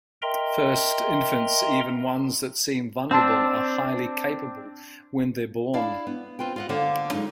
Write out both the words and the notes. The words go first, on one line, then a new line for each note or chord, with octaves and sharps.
First, infants, even ones that seem vulnerable, are highly capable when they are born.
A#4 D#5 E5 G5 A#5 C6
C4 D4 A5 C6 E6
D4 E4 D5 F5
B3
C4 F4 B4 G5
F4 D#5 F#5
D3 A#3 C5 F5 F#5
F#3 G#3 A3 D#4 F4